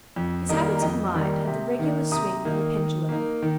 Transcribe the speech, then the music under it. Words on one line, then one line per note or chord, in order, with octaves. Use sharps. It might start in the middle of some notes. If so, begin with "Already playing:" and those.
His habits of mind had the regular swing of a pendulum.
F2
D#3 G3 A#3 D#4 A#4 D#5
A#5
F2 D#5 G5
D#3 G3 A#3 D#4
C3
D#3 A#3 D#4
C3 A#5 D#6
D#3 A#3 D#4
D#3
A#3 D#4
D#3